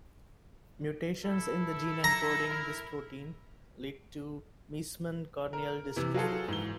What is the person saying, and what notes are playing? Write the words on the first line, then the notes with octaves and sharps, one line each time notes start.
Mutations in the gene encoding this protein lead to Meesmann corneal dystrophy.
E4 A4
A#5
E4 A#4
A#4
C3 E3
F#3 F4 G#4 A4
G#2 E3 G7